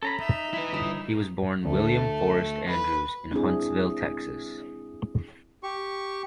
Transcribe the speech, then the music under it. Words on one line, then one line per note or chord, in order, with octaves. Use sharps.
He was born William Forrest Andrews in Huntsville, Texas.
C#4 A4 A#5 B5
D#4 E5
E4 B4
G1 D#6 E7
D2 A3
B4
C4 D4 E4 G#4
G4 C#6